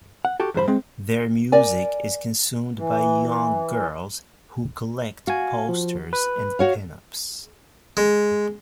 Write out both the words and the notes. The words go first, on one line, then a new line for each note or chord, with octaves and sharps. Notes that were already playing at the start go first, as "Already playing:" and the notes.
Their music is consumed by young girls, who collect posters and pin ups.
F#5
F#4 G4 A4
E2 G2 C5 B5
G#3 C4
A#4 D5 G#5
E3
F#4 F5 G#5
F3
B4
F#4 C#5 F5
G#3